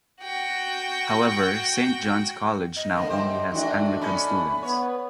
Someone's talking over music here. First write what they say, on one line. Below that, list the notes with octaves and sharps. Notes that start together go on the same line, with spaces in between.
However, Saint John's College now only has Anglican students.
F#4 G5
D#5
D3 A#3 B3
F#2 G4 C5
D#3 A3 D4 F#4
C#4 D#4 B5
B3 C#5